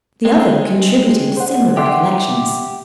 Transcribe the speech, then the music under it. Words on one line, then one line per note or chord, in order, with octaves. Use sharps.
The other contributed similar recollections.
G#3 C4
C5 F#5
G4 E5 F#5 C6